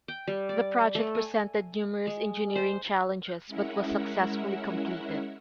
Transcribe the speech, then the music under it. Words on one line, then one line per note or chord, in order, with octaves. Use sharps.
The project presented numerous engineering challenges but was successfully completed.
G5
G3
D5
A3
G#5
G#3
C5
G#3 C#4 E4 A#4 E5 F#5